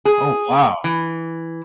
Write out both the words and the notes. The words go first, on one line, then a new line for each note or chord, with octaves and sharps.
Oh, wow.
G#4
E3